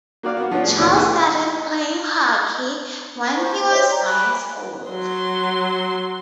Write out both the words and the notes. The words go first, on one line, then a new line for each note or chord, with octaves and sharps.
Child started playing hockey when he was four years old.
A#3 F#4 D5 F5
B3 F#4
F3 B3 C#4 D4 F4
A2 G#4
D#2 B2 D3 E3 D5
A3 E4 G4 A4 B4 G#5
C5 A5 C#6
C5 C#5 D#5 E5
D5 A#5
G#5 B5 D6 F#6
F#3 C6